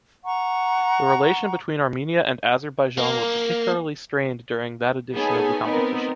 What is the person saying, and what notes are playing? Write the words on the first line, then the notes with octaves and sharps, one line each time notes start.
The relation between Armenia and Azerbaijan were particularly strained during that edition of the competition.
F#5 A#5 C#6
A#3
B3 D#4 G#4 A4 C#5 G#5
B3 C4 D#4 A#4